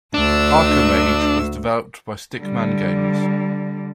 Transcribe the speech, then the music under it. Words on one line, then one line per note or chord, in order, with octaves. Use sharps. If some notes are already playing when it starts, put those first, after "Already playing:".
"Arcomage" was developed by Stickman Games.
D2 D4 E6
D3 G3